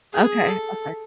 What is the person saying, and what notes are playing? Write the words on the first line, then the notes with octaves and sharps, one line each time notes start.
Okay, okay.
G#4
A4